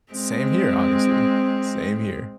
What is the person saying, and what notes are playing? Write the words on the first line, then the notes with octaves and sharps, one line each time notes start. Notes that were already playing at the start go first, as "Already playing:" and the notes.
Same here, honestly, same here.
G#3 C4